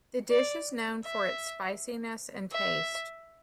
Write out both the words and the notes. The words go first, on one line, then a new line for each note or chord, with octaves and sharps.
The dish is known for its spiciness and taste.
D5
E5
E5